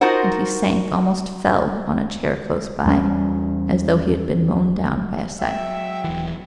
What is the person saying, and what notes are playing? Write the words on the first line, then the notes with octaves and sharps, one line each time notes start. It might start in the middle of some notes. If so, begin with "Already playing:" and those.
And he sank, almost fell, on a chair close by, as though he had been mown down by a scythe.
D#4 F4 F#4 A#4 C5 F#5
E2 G3 B3 C#4
F#3 G#3 E5 G5
D#1 E3